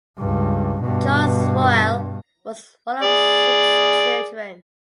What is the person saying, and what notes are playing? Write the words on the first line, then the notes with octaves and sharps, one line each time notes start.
Charles Roehl was one of six children.
C#2 G2
G2 B2
G#4 D5